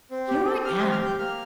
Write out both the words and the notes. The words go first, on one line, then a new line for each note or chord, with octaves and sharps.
Here I am.'
C4
G4
C4
G4 F6
C6
C4
F6
G4 G6
A#3 F6